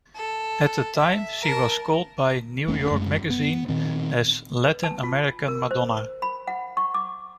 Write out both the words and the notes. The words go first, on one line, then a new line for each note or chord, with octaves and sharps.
At the time, she was called by "New York Magazine" as "Latin American Madonna".
A4
E5
A#4 A5
E1 A3 C#4
F#2 G#3
B3
A#2 D#3 C4
B4
A5
F4
A#4
C5
B5
F#5
C#6
D6